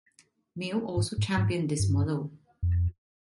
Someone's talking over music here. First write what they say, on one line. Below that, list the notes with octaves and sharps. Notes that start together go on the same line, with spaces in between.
Mill also championed this model.
G#2
G#2
G#2
G2
F2